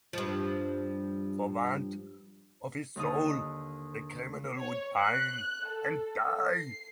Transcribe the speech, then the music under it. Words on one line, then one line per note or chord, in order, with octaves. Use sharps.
For want of his soul the criminal would pine and die.
G2 F3
D#2 D3 D#4 F5 D#6
C#5
F#6
A4
C7